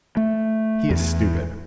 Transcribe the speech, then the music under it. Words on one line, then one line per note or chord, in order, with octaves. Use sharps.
He is stupid.
A3
E2